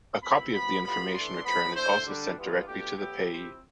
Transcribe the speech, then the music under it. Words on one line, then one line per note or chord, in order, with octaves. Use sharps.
A copy of the information return is also sent directly to the payee.
B2 A3 C4 E4 B5
G2 F3 B3 B5
A2 G3 B3 F4 B5
E3 A3 D4 C6
A2 F3 B3 B5
D3 A3 E4 C5
D3 G3 D4
E3 G3 B3 D4 F4
B2 A3 D4 F4 G4
A2 G3 B3 E4 G4
F3 C4 E4